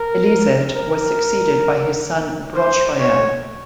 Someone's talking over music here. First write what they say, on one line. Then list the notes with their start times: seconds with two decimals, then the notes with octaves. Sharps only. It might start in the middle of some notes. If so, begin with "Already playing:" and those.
Elisedd was succeeded by his son Brochfael.
Already playing: A#4
0.75 A#4
2.55 C5
3.00 C#5